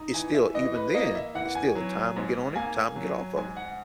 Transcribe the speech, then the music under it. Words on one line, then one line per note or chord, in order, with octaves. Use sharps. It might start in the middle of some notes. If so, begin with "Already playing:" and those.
it's still even then, it's still a time to get on it, time to get off of it,
Already playing: D#4
E3 G#5
E5
E3 D#5
B4
A#3 D#5
E5
E3 F#5
G#5
F#3
G#2
A#3 G#5
F#3
G#2 G#5
F#5